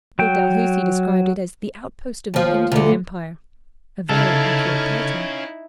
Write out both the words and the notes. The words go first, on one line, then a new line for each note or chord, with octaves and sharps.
Lord Dalhousie described it as "the outpost of the Indian Empire"--a very accurate title.
F#3 G5
D#2 F3
D2 D3
C#3 C#4 D#4 E4 A4 F5